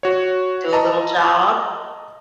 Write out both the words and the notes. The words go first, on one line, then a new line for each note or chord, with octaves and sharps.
Do a little jog.
F#4 C#5
D#5 A5 A#5